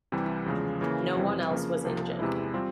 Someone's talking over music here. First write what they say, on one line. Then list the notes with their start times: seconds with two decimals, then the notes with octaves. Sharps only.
No one else was injured.
0.12 C2 C3 E3 G3
0.46 E2 C#3 F3 G#3
0.81 C#3 E3 A#3
1.16 F2 C3 E3 G3 C4
1.51 C#3 F3 A#3 C#4
1.85 C2 C3 F3 A#3
2.19 E2 C3 E3 G#3 E4
2.54 G3 C4 F4